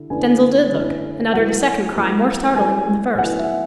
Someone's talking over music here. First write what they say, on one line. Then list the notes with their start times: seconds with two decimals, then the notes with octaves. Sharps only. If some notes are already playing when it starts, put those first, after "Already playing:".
Denzil did look, and uttered a second cry more startling than the first.
Already playing: D3 E4
0.10 F#2 D3 A3 E4 B4 G#5
0.71 F#2 D3 A3 E4 B4
1.33 F#3 A3 E4 B4 F#5
1.95 F#3 A3 E4 B4
2.56 F#3 A3 E4 B4 G#5
3.18 F#3 A3 E4 B4 F#5
3.39 E5